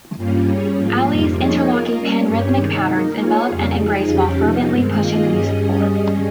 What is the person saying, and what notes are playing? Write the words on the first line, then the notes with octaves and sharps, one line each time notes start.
Ali's interlocking pan-rhythmic patterns envelop and embrace while fervently pushing the music forward.
G2 G3 A#3 C#4 F4
G3 C#4 G#4 C#5
G#2 F3 A#3 F4
F2 C3 G3 A#3
F3 A#3 D#4 G#4 C#5
A#3 F4 A#4 D#5
G3 A#3 C#4
G2 G3 C#4 G4 C#5
C3 D#3 G#3 D#4
A#3 D#4 A#4
A#3 F4 G#4 C#5
F2 C#3 G3
F3 G#3 D#4 G#4
F2 C#3 G3 C#4 G4
C3 F3 A#3 D#4
G2 D#3 G#3 C4
D#3 A#3 F4 G#4 D#5
G2 G3 C#4 G#4 D#5